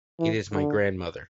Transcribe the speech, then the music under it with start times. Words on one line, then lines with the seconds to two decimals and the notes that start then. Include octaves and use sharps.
It is my grandmother.
0.20 E3
0.53 D3